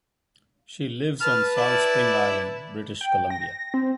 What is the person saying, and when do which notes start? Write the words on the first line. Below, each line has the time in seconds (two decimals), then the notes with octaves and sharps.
She lives on Salt Spring Island, British Columbia.
1.21 B4 A5 F6
1.57 E4 D5
3.01 G5
3.30 A#6
3.74 C4